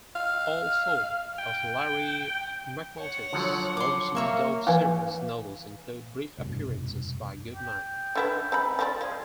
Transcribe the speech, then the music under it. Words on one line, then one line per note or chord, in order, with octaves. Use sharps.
All four of Larry McMurtry's Lonesome Dove series novels include brief appearances by Goodnight.
F5
G5
C#5 F#5
D3 F3 F#3
C6 D6
A#3 C#5 E5 C#6
E3 F4
F1 C2 G2 B2
G5
D3 E4 B4
C4 A#5 B5
F3 C4 D5
F3 G#4